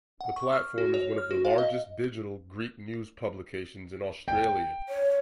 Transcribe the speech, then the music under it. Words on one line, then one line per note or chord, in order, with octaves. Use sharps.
The platform is one of the largest digital Greek news publications in Australia.
F#5
C#6
F6
F#4
C#5
F6
F#4
F5
D#5
G5
C#5